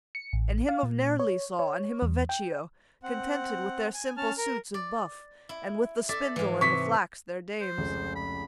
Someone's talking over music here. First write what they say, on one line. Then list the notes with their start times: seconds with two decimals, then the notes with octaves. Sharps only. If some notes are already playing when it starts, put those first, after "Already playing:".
And him of Nerli saw, and him of Vecchio, Contented with their simple suits of buff And with the spindle and the flax their dames.
0.15 C#7
0.33 A1
0.69 F5
0.83 A#2
1.20 C#5
1.59 C#5
2.02 E2
2.29 G5
3.03 C4 F#5
3.94 G#5
4.17 C#4 A5 F6
4.38 A#4
4.74 D5
5.49 E4
6.09 A4 D5 E5
6.36 G#2 E3
6.61 C3 C#6 B6
7.61 C5
7.78 F1 C#2 C#3
8.15 B5